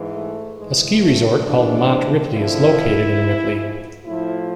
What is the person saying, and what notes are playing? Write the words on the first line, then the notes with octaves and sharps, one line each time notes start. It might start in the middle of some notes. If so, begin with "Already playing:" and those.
A ski resort called Mont Ripley is located in Ripley.
Already playing: G#2 E3
A3
G#2 E3 G#3
A3
G#2 E3 D4
F2 D3 F3 E4
G#2 F3
A2 F3 E4